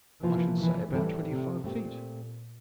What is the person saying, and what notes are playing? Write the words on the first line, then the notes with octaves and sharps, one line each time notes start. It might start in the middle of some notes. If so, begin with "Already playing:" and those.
"I should say about twenty-five feet?"
C3 E3 F3 A#3 F4 C5
E3
A2 E3 G3 C4 E4 A4
C3
A#2 A3 C4 G4